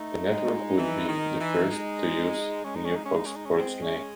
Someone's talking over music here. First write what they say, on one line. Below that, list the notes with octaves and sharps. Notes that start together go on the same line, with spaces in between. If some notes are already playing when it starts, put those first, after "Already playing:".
The network would be the first to use the new Fox Sports name.
Already playing: A3 D#4
G#3
E3
D#3
E3
G#3
G#3 C#4
D#4
C#4
D#4
C#4
D#4
C#4
D#4
C#4
G#3 C4
C#4